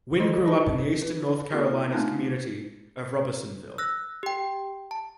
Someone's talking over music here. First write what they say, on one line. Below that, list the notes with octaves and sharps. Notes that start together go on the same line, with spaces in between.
Wynn grew up in the Eastern North Carolina community of Robersonville.
D#3 E3 G4 A4 C5 D#5
D#4 G#4 B4 D#5 A5
B4
A#3 C4 E4 F#4 G#4 A#4
A3 B3 C4 D4 D#4 F4
E6 F#6 A#6
G4 G5
A5